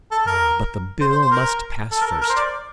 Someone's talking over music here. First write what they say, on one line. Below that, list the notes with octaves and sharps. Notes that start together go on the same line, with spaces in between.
Ah! but the Bill must pass first....
A4
A#4
C5
C5
C5
A#4
A4
A#4
A4
A#4
C5
D5